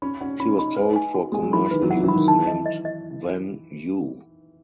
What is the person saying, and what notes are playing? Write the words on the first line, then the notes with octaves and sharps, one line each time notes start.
She was sold for commercial use named Wan You.
C#4 B5
C#4 F#5
C#4 B5
D#4 B5
B4
G#5
F#4
G#3 G#5
F#3
E3 B5
D#3 B4
F#3
E3 F#5
F#3
B5
D#3
E3 A5
D#5
D#5
D#5